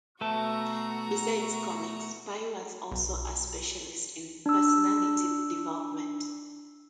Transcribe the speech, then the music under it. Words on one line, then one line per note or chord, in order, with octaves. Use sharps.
Besides comics, Pai was also a specialist in personality development.
B2 A3 F#4 B4 A5 A#5
B1
D4 E6